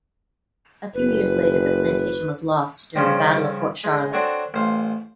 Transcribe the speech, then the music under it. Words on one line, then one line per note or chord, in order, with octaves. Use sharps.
A few years later the plantation was lost during the Battle of Fort Charlotte.
F#1 B4
G2 C#3 F3 G3 C4
G#3
C4 D4 F#4 A4 C#5
A1 C5 F5